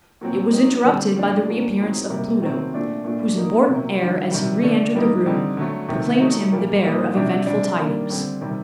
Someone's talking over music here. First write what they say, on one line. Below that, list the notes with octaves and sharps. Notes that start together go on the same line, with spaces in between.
It was interrupted by the reappearance of Pluto; whose important air, as he re-entered the room, proclaimed him the bearer of eventful tidings.
A#2 F#3 C4
F#3 C4 D#4
D3 G3 C4
A#2 G3 D4
A#2 F#3 A#3 D4
A2 F#3 C4 D#4
C3 G3 A#3
C3 D#3 F#3 A3 C4
A#2 A3 D4
A#2 A3 D4
F#3 A#3 D#4
C3 F#3 A#3
D#3 G3 D4
C3 D#3 G3
D3 A3 D4
A2 G3 A#3 D#4
D3 G3 C4 D#4
D3 F#3 A3
C3 D#3 A3
F#3 A3 D#4
A#2 G3 A#3
A#2 G3 A#3 D#4
C3 G3 D4
C3 G3 D4
D#3 G3 A#3 D4
D3 G3 C4
C3 D#3 G3